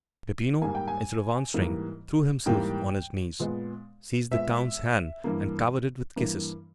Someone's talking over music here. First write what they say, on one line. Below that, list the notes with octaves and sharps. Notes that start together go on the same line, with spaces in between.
But Peppino, instead of answering, threw himself on his knees, seized the count's hand, and covered it with kisses.
G#2 G3 A#3 G#5
G5
G#5
G#2 E3 G3 A#3
G#2 E3 G3 A#3 G5
A#2 G#3 B3
A#2 G#3 B3 E5
G2 E3 A#3
G2 E3 A#3